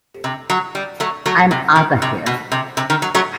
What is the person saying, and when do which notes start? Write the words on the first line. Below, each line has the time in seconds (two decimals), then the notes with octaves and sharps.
I'm Outta Here!
0.24 C3
0.50 F#3
0.75 G3
1.00 F#3 A3
1.26 F#3 A3
1.51 C3
1.76 D#3
2.02 C3
2.26 B2
2.52 C3
2.77 C3
2.90 D#3
3.02 F#3
3.15 F#3 A3